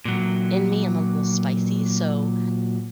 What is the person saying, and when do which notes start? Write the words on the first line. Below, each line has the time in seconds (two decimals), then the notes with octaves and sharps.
in me. I'm a little spicy, so
0.05 A#2 F#3